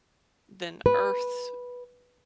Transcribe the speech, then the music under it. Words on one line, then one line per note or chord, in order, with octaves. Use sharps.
than Earth,
B4